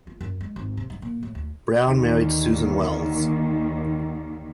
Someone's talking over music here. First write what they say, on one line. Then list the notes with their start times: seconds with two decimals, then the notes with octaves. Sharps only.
Brown married Susan Wells.
0.07 F4
0.21 F#2
0.41 G#3
0.56 G#1
0.77 C3
0.90 G2
1.02 A#2
1.23 A2
1.35 D2
1.83 D#2 D3 D#3 A#3